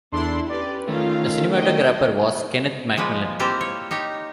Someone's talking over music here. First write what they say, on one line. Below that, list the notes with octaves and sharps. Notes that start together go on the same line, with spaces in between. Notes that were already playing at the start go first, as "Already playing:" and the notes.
The cinematographer was Kenneth McMillan.
E2 D4 E4 A4 C6
C#4 G4 B4 D5
D#3 A3 C#4 F4 F5
F#4 D#5 G5
F3 G#3 A#3 B4
A#3 C4 E4 F4 G4 C5
C#5
D#4 G4 C#5